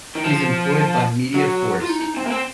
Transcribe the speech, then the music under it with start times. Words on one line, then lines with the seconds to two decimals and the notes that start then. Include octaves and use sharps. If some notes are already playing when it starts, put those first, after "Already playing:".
He is employed by Media Force.
0.15 D#3
0.24 F3
1.34 F#3
1.81 F4
1.89 D#4
2.02 D#4
2.17 C4
2.26 A#3
2.30 C4